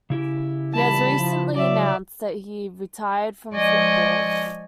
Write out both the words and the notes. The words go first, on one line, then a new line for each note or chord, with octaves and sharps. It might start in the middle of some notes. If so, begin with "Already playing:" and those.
He has recently announced that he retired from football.
C#3 E4 G4
A#2 E3 G3 A5 B5
F3
F#3 D5 E5
F3 G#3 D5 D#5 G#5 C#6